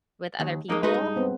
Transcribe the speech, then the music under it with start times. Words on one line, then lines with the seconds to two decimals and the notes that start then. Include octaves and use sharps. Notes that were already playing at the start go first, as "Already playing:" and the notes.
with other people,
0.40 D#2
0.69 F2 G#3 A#3 D#4
0.83 G#3 D#4 F#4 B4
0.94 G2
1.16 B3 C4